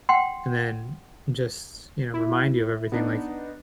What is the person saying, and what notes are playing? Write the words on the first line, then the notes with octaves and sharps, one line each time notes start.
and then just, you know, remind you of everything. Like,
F#5 G5 C6
E4
B3 D4 D#4